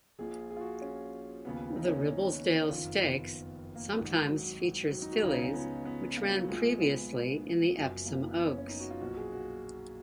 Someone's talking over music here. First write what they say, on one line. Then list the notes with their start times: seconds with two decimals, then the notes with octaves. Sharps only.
The Ribblesdale Stakes sometimes features fillies which ran previously in the Epsom Oaks.
0.19 A#1 A#2 F3 G#4
0.51 G#4
0.56 F4
0.61 F#4
0.82 C#4
1.45 D#2 C#3 F3 B3
1.76 D#4
1.87 C#4
1.97 D#4
2.70 F#1 F2 D#3 F4
3.02 B3
3.76 A#3
3.86 F#3
3.97 G#1 G#2 D#3
4.28 F#3
4.91 F#3
5.02 D#4
5.12 F#4
5.23 C#2 C#3 F3 D#4
5.33 C#4
5.44 C#4
5.54 B3
5.85 B3
6.17 A#3
6.28 F#3
6.38 F#3
6.48 A#1 A#2 F3 G#3
6.80 B3
7.74 F#1 F#2 F3
8.06 A#3
8.38 B3
8.48 C#4
8.58 C#4
8.69 D#4
8.80 F#4
8.90 F4
9.01 B1 A#2 F3 F#4
9.17 G#4
9.32 F#4